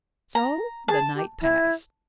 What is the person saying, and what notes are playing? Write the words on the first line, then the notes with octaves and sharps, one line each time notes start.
So the night passed.
A#5
G#4 A5
G4
E4